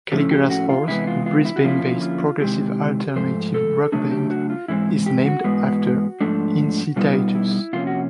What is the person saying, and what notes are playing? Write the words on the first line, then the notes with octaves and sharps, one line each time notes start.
Caligula's Horse, a Brisbane-based Progressive Alternative Rock band, is named after Incitatus.
A2 F3 A3 C#4 E4 G4
G4
F#4
F4
C3 E3 G#3 B3 E4
F4
F4
E4
F#4
D3 F3 A#3 C#4 E4 F4
F4
C3 D#3 G#3 C4 E4 G4
G#2 F3 A3 C5
A4
C#3 F#3 A3 D4 G#4
G4
F#4
F4
G#2 E3 G#3 C4 E4
G4
F#4
G#2 E3 G#3 B3
G#2 F3 A3 D4
B2 G3 B3 D#4 F4
E4
C3 F3 A#3 C#4 F4
F#4